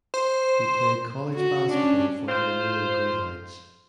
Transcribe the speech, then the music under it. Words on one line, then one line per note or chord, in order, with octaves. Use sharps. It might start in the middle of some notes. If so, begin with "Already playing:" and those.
He played college basketball for the Loyola Greyhounds.
C5
F#4
C#4 D4
F4 C5